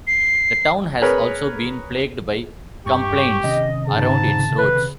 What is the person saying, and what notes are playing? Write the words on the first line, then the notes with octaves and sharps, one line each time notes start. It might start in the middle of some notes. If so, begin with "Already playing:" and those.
The town has also been plagued by complaints around its roads.
C7
G#4 A#4 B4 C#5
G2 G4 C#6
C3 D#3 C#4 D#5
G#2 C#3 A5
B4